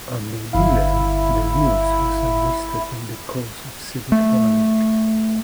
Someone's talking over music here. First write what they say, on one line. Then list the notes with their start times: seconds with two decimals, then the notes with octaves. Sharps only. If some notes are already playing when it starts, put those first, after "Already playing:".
Under Dealey, the News was enlisted in the cause of civic planning.
0.53 G1 E4 F5
4.12 A3